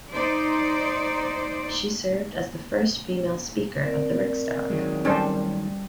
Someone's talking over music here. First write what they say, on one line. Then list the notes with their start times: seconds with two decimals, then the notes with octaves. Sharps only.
She served as the first female Speaker of the Riksdag.
0.13 D#4 C5 D5
3.83 C4 A#4 D5
4.70 D#3 F#3 G#3
5.05 G3 C#4 D4 A4 C5